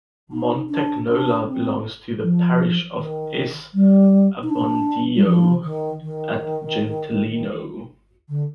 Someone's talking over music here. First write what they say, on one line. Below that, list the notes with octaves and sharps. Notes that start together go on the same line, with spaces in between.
Montagnola belongs to the parish of S. Abbondio at Gentilino.
D#4
D4
D4
C4
F3
D#3
G3
D#4
D4
G3
F3
D#3
D#3
D3